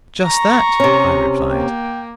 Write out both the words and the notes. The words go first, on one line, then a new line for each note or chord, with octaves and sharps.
"Just that," I replied.
A#5 C#6
C3 C#4
A#3 G5